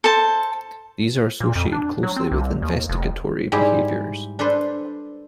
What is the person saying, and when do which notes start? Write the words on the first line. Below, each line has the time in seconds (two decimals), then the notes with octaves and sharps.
These are associated closely with investigatory behaviors.
0.04 A4 C5 A5
1.40 A#2
1.56 F2
1.72 D4
2.03 F#3
2.16 C4
2.32 C2
2.62 D#2
2.89 F1
3.52 G#2 G3 E4 G4 G#4
4.39 D4 A4 B4 C5